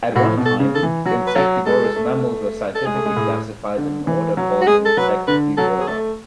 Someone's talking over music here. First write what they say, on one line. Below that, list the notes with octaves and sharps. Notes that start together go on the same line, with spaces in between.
At one time, insectivorous mammals were scientifically classified in an order called Insectivora.
A2 F#4
B2
A4
C#3
A4
E3
F#3 F#4
B4
F#3 A4
G#3 A4
A3
A4
G#3 G#4
A3
G#3
A2
D3
E3
F#3
F#4
G#3 G#4
A4
F#3 B4
D3 B4
F#3 A4
G#4
A3 A4